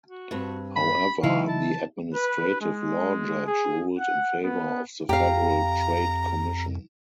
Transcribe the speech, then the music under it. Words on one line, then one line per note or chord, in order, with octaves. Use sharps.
However, the Administrative Law Judge ruled in favor of the Federal Trade Commission.
F#4
G2 C4
B5
C#3 E3 F#3 D#4 E4 F5
A5
B4
G#3
G#4
F#5
B3
F2 G4 F5 A#5